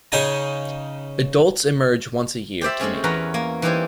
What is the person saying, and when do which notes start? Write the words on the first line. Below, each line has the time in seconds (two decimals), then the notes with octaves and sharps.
Adults emerge once a year to mate.
0.12 C#3 C#4 D#4 G5 G#5 A#5
2.61 G4 C5 D5 E5
2.79 G#3 A3 C4 C#4 G#4
3.04 E2 C#4 A#4 B4 F#5 A#5
3.34 A#3 G#5
3.62 E3 G3 D#4 G4 C5 G#5